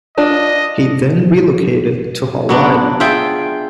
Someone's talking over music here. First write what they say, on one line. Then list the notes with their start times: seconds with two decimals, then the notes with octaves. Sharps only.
He then relocated to Hawaii.
0.18 D4 F4 D#5
2.49 F#3 B3 D4
3.00 F4 G#4 E5 G5